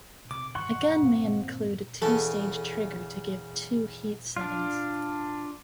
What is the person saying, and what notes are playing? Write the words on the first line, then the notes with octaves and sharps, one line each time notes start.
A gun may include a two-stage trigger to give two heat settings.
C3 D6
G2 D#3 E3 F#5 C6 C#6
A#2 A#3 C4
E2 C#3 C#4 A4
D4 F4